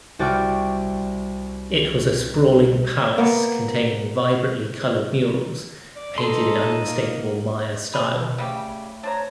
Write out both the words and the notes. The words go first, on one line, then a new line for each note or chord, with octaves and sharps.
It was a sprawling palace containing vibrantly colored murals painted in unmistakable Maya style.
C2 F#4 D5 G5 C#6 F6
A#3 B3
D5
D#4 A4 C6
A#3
B2 G#4 A4 C5 B5
C#3 G3 A3 G4
D4 C5 C#5 A#5